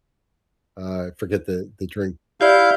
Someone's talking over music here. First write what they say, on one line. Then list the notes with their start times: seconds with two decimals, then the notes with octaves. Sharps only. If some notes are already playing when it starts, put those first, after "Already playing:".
uh, forget the the drink,
2.41 E4 G4 D5 F5 G6